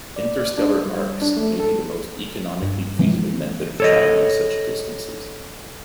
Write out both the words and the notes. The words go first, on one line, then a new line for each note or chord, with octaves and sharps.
Interstellar arks may be the most economically feasible method of traveling such distances.
D5
D4
G3
D4
A3
A4
G2
E3 F3 G#3 C4
A4 C#5 D#5